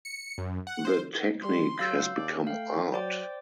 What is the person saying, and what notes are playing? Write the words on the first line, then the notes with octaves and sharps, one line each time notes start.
The technique has become art.
C#7
F#2
F#5
C5
G3 C6
F#3 F5 E6 G6
D#2 D5
A3 F5 G5
F#3 C5 D5 G5 D6